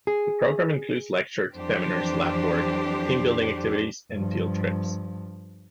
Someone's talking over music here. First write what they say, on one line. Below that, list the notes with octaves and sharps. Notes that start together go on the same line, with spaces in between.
The program includes lectures, seminars, lab work, team-building activities and field trips.
G#4
F2 E3 F#3 D4 G4 C5
G2 F3